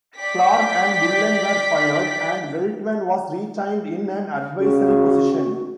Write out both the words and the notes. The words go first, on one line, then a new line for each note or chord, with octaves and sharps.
Clark and Bullen were fired, and Veltman was retained in an advisory position.
D5 G5 B6
C#3 F#4